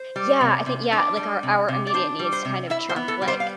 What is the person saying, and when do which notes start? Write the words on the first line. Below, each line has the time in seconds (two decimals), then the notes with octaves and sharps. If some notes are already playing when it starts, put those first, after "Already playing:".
Yeah, I think, yeah, like, our our immediate needs kind of trump, like
Already playing: C5
0.16 G3
0.41 C3
0.66 C3
0.92 D4
1.17 G3
1.43 C3
1.68 C3
1.87 D5
1.94 D4 C5
2.19 G3
2.32 C5
2.45 C3
2.70 E4 E5
2.89 C5
2.96 B3
3.08 A4
3.22 G3
3.28 C5
3.40 F5